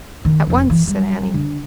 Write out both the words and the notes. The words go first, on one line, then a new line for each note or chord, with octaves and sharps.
"At once," said Annie.
D#3
F1 F2
E3
G3
D3